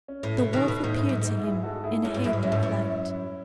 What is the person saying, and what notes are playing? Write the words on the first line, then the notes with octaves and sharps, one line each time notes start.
The wolf appeared to him in a halo of light.
C#4
A2
B2
B2 D#3
B2
A2 B3 D#4
G#2
F#2
G#2
E4 G#4
F#4 A4
E4 G#4
F#2 C#4 E4
G#2
F#2 E4 G#4
G#2
F#2 C#4 E4
G#2
F#2